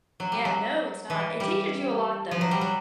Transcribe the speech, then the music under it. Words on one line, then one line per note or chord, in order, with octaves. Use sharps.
yeah, no, it's not it teaches you a lot, though.
F#3
G3
F#3
E3
G3
F3
F#3
G3
F#3